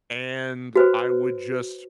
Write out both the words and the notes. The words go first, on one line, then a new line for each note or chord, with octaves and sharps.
and I would just
F#4 B4 C5